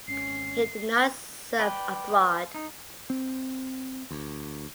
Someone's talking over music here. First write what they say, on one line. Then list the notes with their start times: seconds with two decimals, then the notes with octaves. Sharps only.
He did not serve abroad.
0.08 G#1 C#4 C7
1.59 B4 D5 G5
2.54 D#4
3.10 C4
4.11 D2